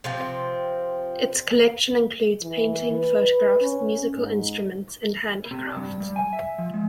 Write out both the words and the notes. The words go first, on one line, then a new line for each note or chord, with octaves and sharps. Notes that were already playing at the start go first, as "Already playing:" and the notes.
Its collection includes paintings, photographs, musical instruments and handicrafts.
C3 F3 C4
E3
B4
C#4
G#2
C3
G2
G3
G#5
E5
F3
G#3